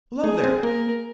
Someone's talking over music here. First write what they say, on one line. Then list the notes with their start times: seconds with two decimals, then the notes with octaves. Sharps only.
Below there!
0.24 A3 G#4
0.44 C4
0.63 A#3 A#4